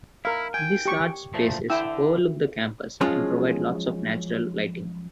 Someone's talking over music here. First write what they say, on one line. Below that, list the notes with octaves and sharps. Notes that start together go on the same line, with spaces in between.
These large spaces overlook the campus and provide lots of natural lighting.
E4 A#4 F5
G5 G#5
G4 C#6
A#2 F3 A3
D3 E4 G5 E6
F3 F#3 G#3 C#4 F4